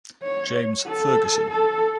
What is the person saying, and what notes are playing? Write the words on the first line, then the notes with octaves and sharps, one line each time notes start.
James Fergusson.
C#5
A4
A4